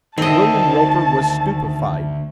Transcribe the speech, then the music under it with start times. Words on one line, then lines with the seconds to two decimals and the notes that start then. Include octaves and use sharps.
William Roper was stupefied.
0.18 D2 D#3 C4 D#5 E5 A5